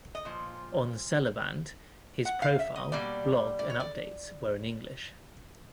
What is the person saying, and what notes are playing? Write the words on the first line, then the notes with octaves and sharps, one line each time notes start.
On Sellaband, his profile, blog and updates were in English.
D#5
A#2 F3
F#5
F5
E5
D#5
B2 G3 A#3 D5
D5
C#5
D5